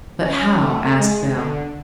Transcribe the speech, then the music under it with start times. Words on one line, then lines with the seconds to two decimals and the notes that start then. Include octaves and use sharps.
"But how?" asked Bell.
0.24 C#4
0.60 A3
0.98 G#3
1.36 D3